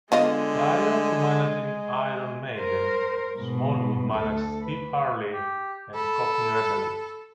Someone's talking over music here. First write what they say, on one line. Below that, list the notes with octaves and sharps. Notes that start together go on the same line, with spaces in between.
Prior to managing Iron Maiden, Smallwood managed Steve Harley and Cockney Rebel.
D3 G#3 B3 F4 D#5
A#4 C5
G#2 B2
D2 A4
B4
G4
A4 B5